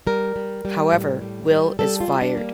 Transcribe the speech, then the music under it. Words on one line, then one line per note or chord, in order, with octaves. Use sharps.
However, Will is fired.
G3 A#4
G3
G3
A2
G3
G3
G3 A4
F4
G3
D4
A#3